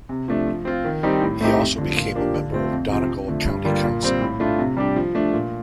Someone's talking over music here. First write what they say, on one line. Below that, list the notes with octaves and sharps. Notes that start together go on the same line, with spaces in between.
He also became a member of Donegal County Council.
C3
F3 A3 D4
F3
C4 F4
D#3
G3 C4 D#4 G4
A2
A3 C4 D#4 G4
F2
D3 F3
A#2
F3 A#3 D4 G4
D3
A3 C4 F4
F2
C3 F3 C4
F2
D3 F3 A3
G2
D3 G3 A#3 F4
A#2
G3 C4
A2
A3 D4 F4
C3
G3 D4 G4
F3
A3 D4
A#2